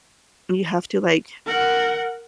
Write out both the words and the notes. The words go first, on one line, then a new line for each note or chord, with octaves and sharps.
you have to like,
A#4 F#5